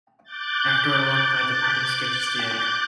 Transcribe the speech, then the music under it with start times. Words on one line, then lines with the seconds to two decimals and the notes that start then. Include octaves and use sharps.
After a long fight, the party escapes with the Egg.
0.23 D6 F#6 G6 A6